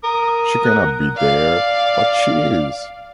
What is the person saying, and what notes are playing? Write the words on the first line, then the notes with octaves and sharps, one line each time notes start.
She cannot be there, but she is!
A#4 D#6
F#5
D5 F5